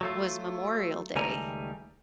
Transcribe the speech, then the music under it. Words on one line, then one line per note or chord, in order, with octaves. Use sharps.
was Memorial Day
F#3 A3 F4
C#2 D#3 G3 A3 G#5 A#5